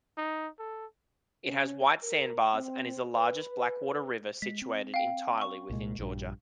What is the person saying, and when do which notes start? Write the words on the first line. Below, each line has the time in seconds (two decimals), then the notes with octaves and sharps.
It has white sandbars and is the largest blackwater river situated entirely within Georgia.
0.17 D#4
0.59 A4
1.46 C#4
2.02 A#4
2.54 C4
3.15 B4
4.42 G#3 B6
4.62 C4
4.94 F5 G5
5.41 C#6
5.70 C2 A#2 G#3
5.99 A#1 G2